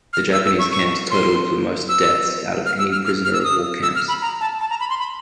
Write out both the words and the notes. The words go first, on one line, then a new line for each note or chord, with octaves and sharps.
The Japanese camps totalled the most deaths out of any prisoner of war camps.
F6
E6
E6
C#6
C#6
C6
E6
F6
E6
F6
F6
F6
E6
D#6
E6
F6
B5
A#5
A5
A5
A#5
B5
C6
B5